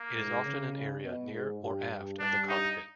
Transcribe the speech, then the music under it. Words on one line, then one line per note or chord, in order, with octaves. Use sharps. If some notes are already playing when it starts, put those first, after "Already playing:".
It is often an area near or aft of the cockpit.
Already playing: A#3
G#2
C#3
B2
G#2
G2
G2 D4
D#4